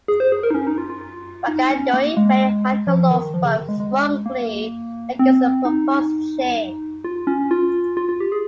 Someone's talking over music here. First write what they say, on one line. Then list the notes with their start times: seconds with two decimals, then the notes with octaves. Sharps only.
Wanganui Mayor Michael Laws spoke strongly against the proposed change.
0.08 G#4
0.20 C5
0.32 G#4
0.43 A#4
0.51 D#4
0.54 C#4
0.67 D#4
0.78 F4
0.90 F4
1.01 F4
1.47 D#4
1.71 C#4
1.93 A#3
2.17 G#3
2.87 F3
3.11 D#3
3.34 F3
3.45 C#3
3.56 D#3
3.69 G#3
3.80 G#3
4.26 A#3
5.19 C4
5.65 D#4
7.04 F4
7.27 C#4
7.51 F4
7.97 F4
8.09 F4
8.20 G4
8.32 G#4